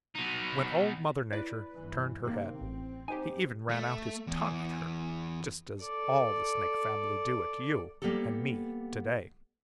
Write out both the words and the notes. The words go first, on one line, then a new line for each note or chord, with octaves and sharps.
When Old Mother Nature turned her head, he even ran out his tongue at her, just as all the Snake family do at you and me to-day.
B2 D#4
E4 B4 D5
G1 E3
C3 D#3 A#3 C4 G4 C5 C6
A1
D#4 G4 C5 G#5
A3
E2
A4 D5
G3 A#3 B3 G4 A4